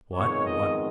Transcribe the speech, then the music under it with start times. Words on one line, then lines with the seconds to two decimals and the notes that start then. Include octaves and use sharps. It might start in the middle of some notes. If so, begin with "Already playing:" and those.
What, what!
0.14 F2 D#3 G#3 B3 C#5
0.46 D#5